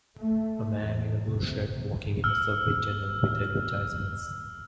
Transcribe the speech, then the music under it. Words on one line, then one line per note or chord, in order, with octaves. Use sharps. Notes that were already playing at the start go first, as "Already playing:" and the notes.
A man in a blue shirt walking in a subway tunnel with advertisements.
A3
E2
C3
E6 F6